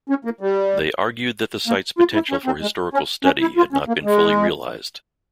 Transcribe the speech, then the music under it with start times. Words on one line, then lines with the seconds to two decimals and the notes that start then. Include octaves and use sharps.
They argued that the site's potential for historical study had not been fully realised.
0.09 C#4
0.25 A#3
0.41 G3
1.68 A#3
1.99 F4
2.14 E4
2.31 C#4
2.46 C4
2.62 G#3
2.93 C#4
3.25 C#4
3.41 E4
3.57 F4
3.72 C#4
3.88 A#3
4.04 G#3